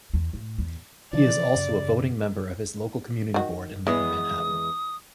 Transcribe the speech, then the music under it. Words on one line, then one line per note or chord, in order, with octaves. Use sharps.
He is also a voting member of his local community board in lower Manhattan.
E2
A2
E2
C3 E3 F3 D5
F#2 C#3
D#3 F#4
E2 E3 G#3 B3 D#6